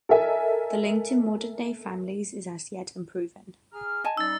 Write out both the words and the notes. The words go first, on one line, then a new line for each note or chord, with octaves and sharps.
The link to modern day families is as yet unproven.
A4 A#4 D#5 E5 G#5
G#4 A#5 F6
D#5 G#5 A5
G3 C#4 D#4 E6 A6